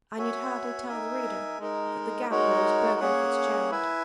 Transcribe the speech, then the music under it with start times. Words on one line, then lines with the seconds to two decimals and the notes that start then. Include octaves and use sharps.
I need hardly tell the reader that the gambler was Burgo Fitzgerald.
0.18 F#4 C#5 E5 G#5
0.88 D#4 A#4 E5 G#5
1.59 G#3 D#4 A#4
2.29 G#3 D#4 F#4 A#4 C#5
3.00 A#3 C#4 G#4 C#5 F#5
3.71 E4 B4 E5 G#5